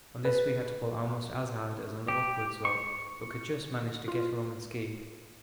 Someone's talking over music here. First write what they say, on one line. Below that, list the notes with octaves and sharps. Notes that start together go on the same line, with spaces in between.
On this we had to pull almost as hard as on the upward slope, but could just manage to get along on ski.
B4
G4
C#6
F4